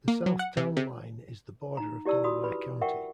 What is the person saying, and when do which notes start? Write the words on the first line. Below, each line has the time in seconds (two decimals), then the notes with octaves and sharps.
The south town line is the border of Delaware County.
0.08 A#3
0.26 F#3
0.39 F#5
0.57 C3
0.77 C3
1.77 D#4 A#5
2.06 E4 G4 D5 A5 E6
2.24 F#4 B5 D#6
2.44 B4 B5 C#6
2.81 A#4 E5 F#5 G5 C#6